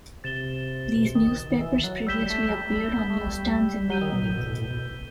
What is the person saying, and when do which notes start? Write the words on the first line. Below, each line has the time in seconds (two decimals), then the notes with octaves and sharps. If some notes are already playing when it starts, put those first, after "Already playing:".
These newspapers previously appeared on newsstands in the evening.
0.24 C3 A6 E7 G7
0.96 B2
1.05 C3
1.15 D#3
1.27 D#3
1.51 D#3
1.61 E3
1.84 F#3
2.07 G3 E6 G6 B6 E7 G7
2.30 A3
2.49 F#3
2.52 G3
2.65 G3
2.76 A3
2.99 B3
3.10 A3
3.21 G3
3.33 G3
3.90 F#3 G6 D#7 G7
4.01 D#3
4.13 B2
4.24 A2
4.36 B2
4.47 A2
4.55 B2
4.58 A2
4.71 B2